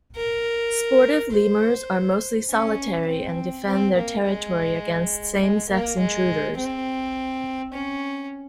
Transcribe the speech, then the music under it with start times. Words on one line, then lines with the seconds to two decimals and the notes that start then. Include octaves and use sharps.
Sportive lemurs are mostly solitary and defend their territory against same sex intruders.
0.16 A#4
1.32 C5
2.50 C#4
3.07 C4
3.66 C4
3.95 A#3
4.24 G#3
5.41 G#3
5.70 A#3
5.99 G#3
6.57 C4
7.73 C#4